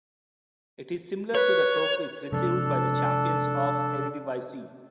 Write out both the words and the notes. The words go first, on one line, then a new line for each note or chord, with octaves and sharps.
It is similar to the trophies received by the champions of the Eredivisie.
B4 C#5
C3 F3 G#3 D4 A4